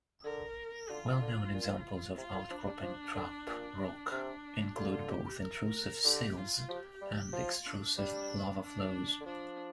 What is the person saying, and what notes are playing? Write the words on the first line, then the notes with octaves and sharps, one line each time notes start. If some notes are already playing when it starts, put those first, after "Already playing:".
Well-known examples of outcropping trap rock include both intrusive sills and extrusive lava flows.
D3 A#4
D3 F4
D3
A#2
C3 F4
D3
F3 D4
G3
F3
D3
A#2
C3 D4
D3 F4
G4
A#4
D3 G4
F4
F3 G4
G3
F3 F4
D4
G3 D4
D4
D3
F3 D4